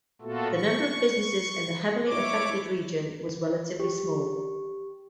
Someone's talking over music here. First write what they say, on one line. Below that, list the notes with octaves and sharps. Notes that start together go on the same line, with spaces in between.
The number of businesses in the heavily affected region was relatively small.
A#2 A3 B3 F4 F#4 A4
C#6
E4 C#5 D6
G4